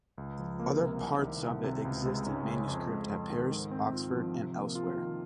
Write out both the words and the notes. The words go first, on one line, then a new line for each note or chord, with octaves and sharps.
Other parts of it exist in manuscript at Paris, Oxford, and elsewhere.
C#2
F3
A#3
C3
C2
D#3
C2
C3
C#2
G#3
C#4
C#3
F2
G#3
F2
D#3
G#2
C4
F4
F3
C3
A#3
F4
D#3